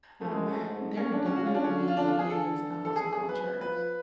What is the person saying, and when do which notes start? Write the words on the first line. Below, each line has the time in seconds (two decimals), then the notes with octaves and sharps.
um, there definitely is a hustle culture,
0.21 A3
0.31 F#2 G#3
0.48 A3
0.65 G#2
0.97 A2 C#4
1.12 D4
1.26 C#3 C#4
1.36 F#4
1.45 F4
1.55 D4
1.64 D3 C#4
1.88 F4
1.97 D3 D4
2.08 F4
2.19 G#4
2.30 D3 A4
2.85 A4
2.96 G#4
3.13 G#4
3.28 F#3 B4
3.61 F3 B4